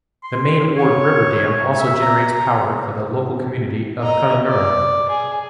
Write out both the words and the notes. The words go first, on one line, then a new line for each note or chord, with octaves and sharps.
The main Ord River dam also generates power for the local community of Kununurra.
C6
C#5
E5
A#5
D#5 A#5
D5
G#4